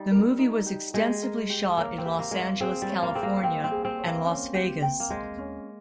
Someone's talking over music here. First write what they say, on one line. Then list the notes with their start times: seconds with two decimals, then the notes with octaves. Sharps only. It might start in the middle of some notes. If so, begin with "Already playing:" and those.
The movie was extensively shot in Los Angeles, California and Las Vegas.
Already playing: G3 D#4
0.11 A#4
0.38 D#4
0.66 G4
0.94 G#3 G4
1.22 A#4
1.50 G4
1.78 A#3 C#5
1.98 C4
2.05 G4
2.19 A#3
2.31 G#3 A#4
2.40 A#3
2.60 C4 G#4
2.82 G3
2.89 C#5
3.03 A#3
3.15 C4 G#4
3.23 A#3
3.44 C4 G5
3.64 C4
3.71 G#4
3.85 C4
3.98 C#5
4.06 A#3
4.26 C#4
4.54 G4
4.82 G5
5.00 A#3
5.10 G#3 C5
5.38 C#4